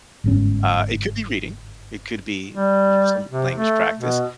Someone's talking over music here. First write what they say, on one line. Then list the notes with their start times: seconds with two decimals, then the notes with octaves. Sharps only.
uh, it could be reading, it could be l some language practice,
0.24 G1 G#2 C#4
2.53 G3
3.31 C3
3.56 A3
3.98 B2